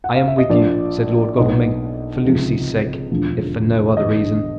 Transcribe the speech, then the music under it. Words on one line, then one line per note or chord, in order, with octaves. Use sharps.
"I am with you," said Lord Godalming, "for Lucy's sake, if for no other reason."
F#5
F5
E5
D#5
A#1 A#2 F3 D5
B1 B2 D#5
C#2 C3 F3
E1 D2 D3 F3
G1 G2 E3 D#5